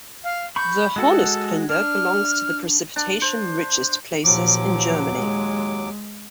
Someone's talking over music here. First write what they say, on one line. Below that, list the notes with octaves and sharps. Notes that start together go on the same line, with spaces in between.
The Hornisgrinde belongs to the precipitation-richest places in Germany.
F5
B5 C#6 G6
G#3 F#4 A4 F#5
D4 F6
D4
C5
D#2 A#2 F3 F#3 D6
G#3